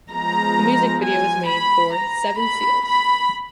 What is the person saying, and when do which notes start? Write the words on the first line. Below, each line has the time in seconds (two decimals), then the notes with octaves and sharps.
A music video was made for "Seven Seals".
0.11 F3 G#3 B3 A#5
1.03 G#5
1.48 B5
1.95 A#5
2.39 B5
2.85 B5